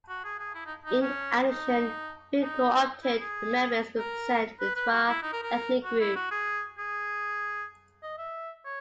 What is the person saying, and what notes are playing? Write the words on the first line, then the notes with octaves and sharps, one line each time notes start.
In addition, three co-opted members represent the Twa ethnic group.
F#4
G#4
G#4
E4
D#4
D#4
C#4
D#4
D#4
E4
G#4
A#4
B4
B4
F#4
E4
D#4
A#4
A#4
F#4
E4
F#4
G#4
G#4
D#5
E5
C#5